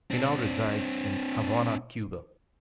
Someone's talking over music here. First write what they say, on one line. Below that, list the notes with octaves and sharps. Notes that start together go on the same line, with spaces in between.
He now resides in Havana, Cuba.
C4 D4